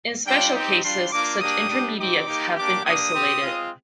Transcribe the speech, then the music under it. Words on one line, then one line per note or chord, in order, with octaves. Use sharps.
In special cases, such intermediates have been isolated.
G3 D4 F4 G5
C4 D#4 G4
G3 D4 F4 C6
A#3 D4 F4 D6
A#3 D4 G4 D#6
G3 D4 G4
C4 D#4 G4 D6
A#3 D#4 G4
A#3 D4 G4 D6
A#3 D4 G4 D#6
C4 G4
G#3 C4 F4